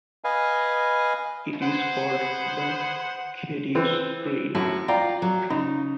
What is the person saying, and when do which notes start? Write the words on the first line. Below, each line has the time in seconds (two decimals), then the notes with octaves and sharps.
It is called the Khedive's Train.
0.24 B4 D#5 F5 G#5
1.62 G#4 B4 C5 F#5
3.75 E3 C4
4.55 F#2 A2 F#4
4.88 F4 D5 G5 A#5
5.22 F#3
5.50 C#3 D#4